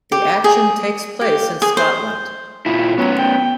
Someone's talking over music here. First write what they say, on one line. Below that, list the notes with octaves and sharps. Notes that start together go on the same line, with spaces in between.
The action takes place in Scotland.
G4
G#4
G4
G#4
C5
A#2 E4 F4
F#3 B3 C#4
G5